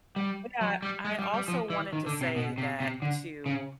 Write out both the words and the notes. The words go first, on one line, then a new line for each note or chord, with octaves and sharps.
Yeah. I also wanted to say that to
G3
F#3
G3
G#3
G3
G3
F3
E3
D#3
D3
C3
B2
C3
C3
D3
C#3